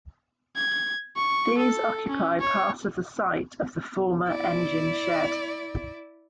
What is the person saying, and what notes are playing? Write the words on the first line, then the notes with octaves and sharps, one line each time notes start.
These occupy part of the site of the former engine shed.
G#6
C#6
A4
C#4
C#5
E4 D5